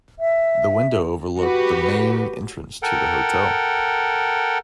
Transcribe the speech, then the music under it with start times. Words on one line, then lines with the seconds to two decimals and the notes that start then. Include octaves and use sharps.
The window overlooked the main entrance to the hotel.
0.19 E5
1.40 F#4 G4 B4
2.83 A4 A#4 F#5 G5